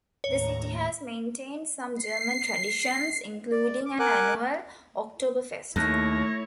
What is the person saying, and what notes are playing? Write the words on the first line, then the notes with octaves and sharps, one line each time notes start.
The city has maintained some German traditions, including an annual Oktoberfest.
D#2 A2 C#5 A#5
C7
D5
D6
A#4 F#5 G#5 D6 F#6
D#2 A3 E4 C#5 A#6